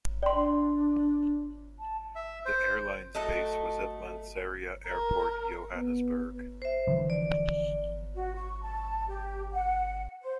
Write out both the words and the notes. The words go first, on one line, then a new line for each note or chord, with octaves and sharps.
The airline's base was at Lanseria Airport, Johannesburg.
D5 G5 C6
D4
A5
E5
C5
F#3 A3 A4 D#5
A#4
B3
C5 E5
D3 E3 F3
D5
F#4
C#6
A5
G4
F#5
C5